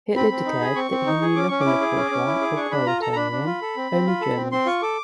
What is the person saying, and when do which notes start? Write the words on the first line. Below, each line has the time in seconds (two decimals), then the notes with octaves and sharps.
Hitler declared that he knew nothing of bourgeois or proletarian, only Germans.
0.16 C4 B5
0.31 C4
0.46 D#4
0.61 G#4
0.76 C4 C#6
0.91 C4
1.07 D#4
1.21 G#4
1.36 C#4 D6
1.48 C#4 C#6
1.61 D6
1.66 E4
1.81 G#4
1.96 C#4
2.11 C#4
2.27 E4
2.41 G#4
2.56 D4 C#6
2.71 D4 B5
2.86 F4 A#5
3.01 A4 A#5
3.12 A#5
3.16 D4 B5
3.32 D4
3.46 F4
3.62 A4
3.77 C4
3.91 C4
4.06 F4
4.21 A4
4.37 C4
4.52 C4 C6
4.66 F4 C#6
4.82 A4 D6